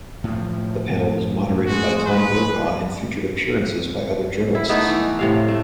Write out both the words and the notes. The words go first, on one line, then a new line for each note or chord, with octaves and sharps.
The panel was moderated by Tom Brokaw and featured appearances by other journalists.
A2 F3
G#3 F#4
B4
E4
A3 B3 D#4 E4
E3
A2 C3 F5
A3